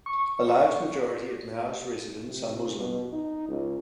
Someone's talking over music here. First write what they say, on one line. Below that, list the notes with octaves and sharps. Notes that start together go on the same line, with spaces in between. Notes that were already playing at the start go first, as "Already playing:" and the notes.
A large majority of Mao's residents are Muslim.
C#6
C3
B2
D#4
C#2